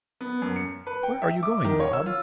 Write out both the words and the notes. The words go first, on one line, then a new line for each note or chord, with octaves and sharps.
"Where are you going, Bob?"
B3
F#2
C#7
B4
G5
E5
D6
D#3
C#5
E6
F4